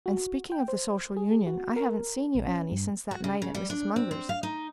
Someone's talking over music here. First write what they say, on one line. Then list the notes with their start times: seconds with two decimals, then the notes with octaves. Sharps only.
And speaking of the Social Union, I haven't seen you, Annie, since that night at Mrs. Munger's.
0.06 F#4
0.52 G5
0.68 C5
1.17 G#4
1.47 F#4
1.76 A#4
2.35 A#1
2.48 C#4
2.72 G2
3.11 F#4
3.24 C#3
3.42 C#3
3.55 G3
3.70 D4
3.96 C4
4.11 C4
4.29 F5
4.43 D#4